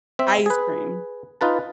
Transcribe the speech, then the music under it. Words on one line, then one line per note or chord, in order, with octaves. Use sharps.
Ice cream.
C4 E5
G#4 B4
D#4 F4 B4 A5